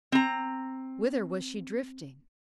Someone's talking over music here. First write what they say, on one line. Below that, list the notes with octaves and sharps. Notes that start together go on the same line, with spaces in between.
Whither was she drifting?
C4 A#5